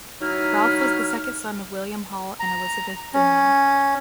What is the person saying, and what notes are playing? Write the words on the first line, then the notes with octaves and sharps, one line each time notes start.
Ralph was the second son of William Hall and Elizabeth Dyneley.
F#3 D#4 E4 F6
A#5
C#4